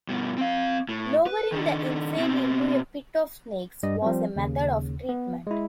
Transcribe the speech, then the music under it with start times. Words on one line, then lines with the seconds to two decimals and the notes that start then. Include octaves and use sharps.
Lowering the insane into a pit of snakes was a method of treatment.
0.09 G2 B2
0.38 C4 F5
0.89 A2
1.27 B4
1.52 D#3 D4
2.18 B2 C4
3.83 G2 G3 D#5
4.02 F3 G3 C4
4.36 D#2 C#3
5.09 B3
5.47 G#3 E4